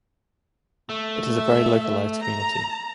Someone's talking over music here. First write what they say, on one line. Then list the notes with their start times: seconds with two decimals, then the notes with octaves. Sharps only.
It is a very localised community.
0.89 A3
1.34 E5
2.22 A#5